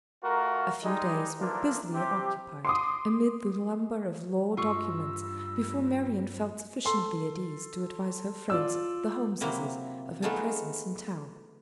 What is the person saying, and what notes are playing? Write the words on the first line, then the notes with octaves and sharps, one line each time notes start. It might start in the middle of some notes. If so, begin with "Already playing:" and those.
A few days were busily occupied amid the lumber of law documents, before Marian felt sufficiently at ease to advise her friends, the Holmeses, of her presence in town.
A3 F4 F#4 A#4
G3 G#3 D#4
D3 E3 F3 A#3 D4 A#4
C3 C4 G4
C6 D6 D#6
G2 F4 C#6 E6
A4 C6
F4 D5 E6
C3 F#3 A#3 C4 E4
A3 B3 D#4 F4 G#4 A4